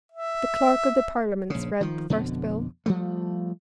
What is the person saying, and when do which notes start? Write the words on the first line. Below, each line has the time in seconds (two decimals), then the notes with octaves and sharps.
The Clerk of the Parliaments read the first bill.
0.12 E5
1.50 A#1 C#3
1.81 D#3 F3
2.10 F2 B2 D3
2.86 F3 G3 A3